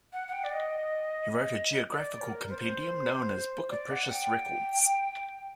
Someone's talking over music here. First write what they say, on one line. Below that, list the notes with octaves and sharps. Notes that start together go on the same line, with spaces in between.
He wrote a geographical compendium known as "Book of Precious Records".
F#5
F#5
G5
D5
D#5
D5
A#4
C5
D5
F#5
G5